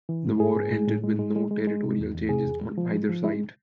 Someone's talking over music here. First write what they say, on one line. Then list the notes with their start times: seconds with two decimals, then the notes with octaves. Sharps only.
The war ended with no territorial changes on either side.
0.09 E3
0.25 G#2
0.40 G#2 G#4
0.56 G#2
0.72 G#3
0.88 A2
1.04 G#3
1.19 G#3
1.36 G#3
1.51 G#3
1.67 G#3
1.82 C3
1.99 E2
2.14 E2
2.29 C3 G#4
2.45 E2
2.61 G#3
2.78 F3
2.93 G#3
3.09 F3
3.24 G#3 E4